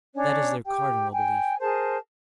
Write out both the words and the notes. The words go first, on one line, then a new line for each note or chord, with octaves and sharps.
That is their cardinal belief.
C#4 D4 C#5 D5
G4 G5
G5 G#5
G#4 A#4 C5 A5